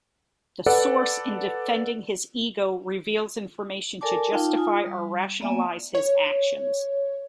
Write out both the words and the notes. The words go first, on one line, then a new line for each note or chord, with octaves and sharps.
The source, in defending his ego, reveals information to justify or rationalize his actions.
A4 B4 D5 F#5
A4 A#4 D5 G#5 A5 D6
D#4 F4 F5 G5 A5
F4 G#5 D#6
G3
A#3 B3 D5 E5 G#5
C#5